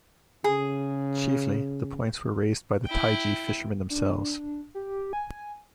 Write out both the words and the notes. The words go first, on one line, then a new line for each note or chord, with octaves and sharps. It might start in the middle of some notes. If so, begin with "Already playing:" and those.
Chiefly the points were raised by the Taiji fishermen themselves.
C#3 G#4
E4 G5
D4
G4
G#5